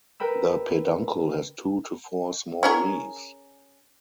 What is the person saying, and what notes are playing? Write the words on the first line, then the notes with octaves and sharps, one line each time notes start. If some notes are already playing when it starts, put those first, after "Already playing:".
The peduncle has two to four small leaves.
A#4 B4 G5 B5 E6
C#4 G#4 A#4